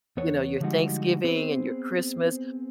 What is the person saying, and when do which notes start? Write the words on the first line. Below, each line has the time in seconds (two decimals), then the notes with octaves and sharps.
you know, your Thanksgiving and your Christmas,
0.17 E2 B3 C#5
0.60 D3 F3 G3 G#3 D#4 F#4
1.24 B3 C4 G#4 C5